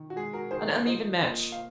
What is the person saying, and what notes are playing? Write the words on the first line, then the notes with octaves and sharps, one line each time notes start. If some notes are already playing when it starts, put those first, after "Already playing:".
An uneven match.
Already playing: D#3
F#4
G#3 G#4
F#4 A#4
D#3 G#4 C5
A#4 C#5
F3 C5 D#5
A#3 C5 D#5
F5